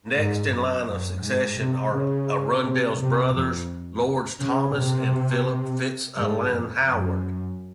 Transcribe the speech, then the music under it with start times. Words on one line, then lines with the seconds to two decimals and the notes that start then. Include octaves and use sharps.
Next in line of succession are Arundel's brothers, Lords Thomas and Philip Fitzalan-Howard.
0.15 G#2
0.51 F#2
0.86 F#2
1.22 G#2
1.57 C3
1.92 C#3
2.63 C3
2.99 C3
3.34 F2
4.41 C#3
4.76 C3
6.18 G#2
6.54 F2
6.90 F#2